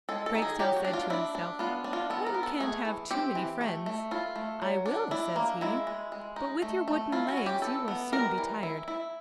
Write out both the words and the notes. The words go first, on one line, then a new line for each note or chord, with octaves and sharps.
Drakestail said to himself: 'One can't have too many friends.' ... 'I will,' says he, 'but with your wooden legs you will soon be tired.
G#3 A4
A4
D#3
G#4
F#3 G4
F#4
D4
F4
D4 E4
D4
B3 F4
D4
F4
B3 A4
A#4
B3
A4
A3 G#4
E3
C4 G4
E3
A3
A3
E4 F4
A3
F#3
D4
D4 E4
A#3
G#3 E4
G#3
G#3
D#4
A3
A3
E4 F4
F#4
C#4
G4
E3 A4
B3
G3 A#4
E3
E4
E4